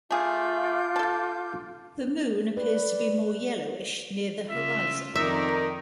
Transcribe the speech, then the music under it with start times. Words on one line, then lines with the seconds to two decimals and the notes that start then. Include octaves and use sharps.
The moon appears to be more yellowish near the horizon.
0.11 A3 F4 G#4 D6 G6
0.96 A4 A5
2.57 B4 D5
4.50 C#3 F4 E5
5.16 F2 D#3 D#4 A#4 D5 E5